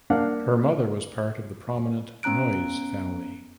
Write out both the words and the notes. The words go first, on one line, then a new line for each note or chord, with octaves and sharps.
Her mother was part of the prominent Noyes family.
A#3 D4 F5 F#5
B3 C#4 A#5 F#6 D7